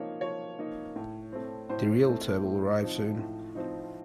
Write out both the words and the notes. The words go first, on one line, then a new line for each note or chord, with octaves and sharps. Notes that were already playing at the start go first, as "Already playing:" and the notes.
The Realtor will arrive soon.
Already playing: F3 A#3 D#4 C#5
F3 C#5
A#3 D#4
A2
A3 C4
A2 C5
A3 C4
A2
F3 C4 D#4
A2
F3 C4 D#4